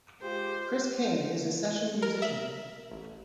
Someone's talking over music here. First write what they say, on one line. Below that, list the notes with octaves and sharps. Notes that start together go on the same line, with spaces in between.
Chris Kane is a session musician.
G#3 F4 G4 C5
A#4
E5
A1